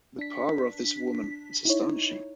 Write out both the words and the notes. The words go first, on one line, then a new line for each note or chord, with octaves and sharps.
The power of this woman is astonishing.
D4 B6
D#4 E4 C#5